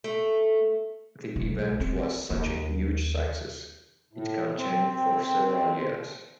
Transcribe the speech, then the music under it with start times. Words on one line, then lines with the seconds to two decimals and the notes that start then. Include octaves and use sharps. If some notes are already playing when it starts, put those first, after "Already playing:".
The event was such a huge success, it continued for several years.
0.04 A3
1.36 B1
1.80 C4
2.30 D#2
4.13 A2
4.57 C4